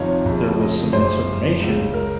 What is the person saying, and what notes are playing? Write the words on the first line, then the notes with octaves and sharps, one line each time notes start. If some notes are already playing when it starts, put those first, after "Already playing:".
there was some misinformation,
Already playing: F2 C3 D#3 C#4 D#4 F4 C#5
F2 C#3
D#5
F#2 C#3 C5
C#2 C#3
A#4